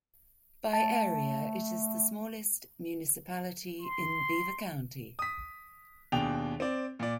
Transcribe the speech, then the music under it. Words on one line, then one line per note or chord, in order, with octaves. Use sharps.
By area, it is the smallest municipality in Beaver County.
A3 A5
C6
D#6 B6
D#2 B2 D4 G#4 G5 F7
C4 D5
A#2 D5